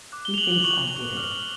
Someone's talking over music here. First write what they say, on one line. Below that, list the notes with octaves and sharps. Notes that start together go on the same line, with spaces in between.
He thinks I did it.
D6 F#6
G7
F7
F#7
F#7
C#6 F#6 F#7
D6 F6